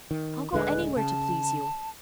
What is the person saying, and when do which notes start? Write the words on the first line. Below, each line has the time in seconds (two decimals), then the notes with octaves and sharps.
I'll go anywhere to please you.
0.11 D#3
0.53 D#1 D3 G#3 B4
0.96 C#3 A5